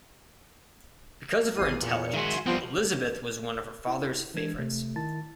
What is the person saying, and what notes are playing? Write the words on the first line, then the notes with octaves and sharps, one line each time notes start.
Because of her intelligence, Elizabeth was one of her father's favorites.
G#1 E2 C7 D#7
A#2 C#7
D#3 G#3 F#4 E5 G#5 C6
F3 G3 B3 C4
E4
E3 G#3 D4 G#6
C3 A3
D#3 E4 A5 A6